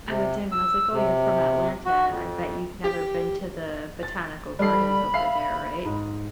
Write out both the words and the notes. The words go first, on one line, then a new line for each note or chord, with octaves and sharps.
I went to him, and I was like, "Oh, you're from Atlanta. I bet you've never been to the Botanical Gardens over there, right?"
C3
E6
C3
F#4
F2
G4
A6
G3 A4 B5 C7
E5 F5 C7
G#2